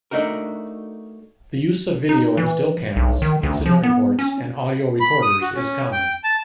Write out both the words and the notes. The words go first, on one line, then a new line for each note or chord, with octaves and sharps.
The use of video and still cameras, incident reports and audio recorders is common.
A3 D4 D#4 F#4 A#4
D#4
E3
B1
D#3
D2
F3
B3
C#4
B5
D#6
F#4
C#4
G5
A5